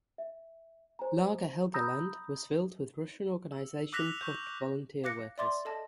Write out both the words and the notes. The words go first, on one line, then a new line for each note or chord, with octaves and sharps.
"Lager Helgoland" was filled with Russian Organisation Todt volunteer workers.
E5
C5 G#5 A#5
A#5 B5 D#6 E6 G6 A#6
E6
D6 E6 F#6 A#6 B6 F7
C#6 G6
F5 D6 F#6 A#6 C#7
D5 E5 C6 D6 A6
A4 D#5 A5